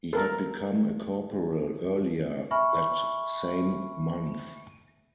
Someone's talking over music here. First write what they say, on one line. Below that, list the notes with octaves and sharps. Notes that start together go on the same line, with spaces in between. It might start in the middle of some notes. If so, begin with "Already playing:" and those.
He had become a corporal earlier that same month.
A4 A#4
E5 G#5 B5 C#6 F6